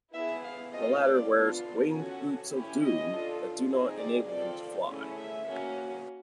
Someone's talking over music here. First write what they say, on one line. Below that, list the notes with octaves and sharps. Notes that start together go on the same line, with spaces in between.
The latter wears "winged boots of doom" that do not enable him to fly.
B3 E4 G#4 E5
F5
A3 C4 F4 A4 D#5
D5
B3 D4 F4 A4
C#4 F#4 A4
C#4 E4 G4
D#5
D4 F4 A4
C4 D#4 G#4
D5
C4 F4 A4 D5
A3 C#4 E4 G#4
E5
A#3 C#4 F#4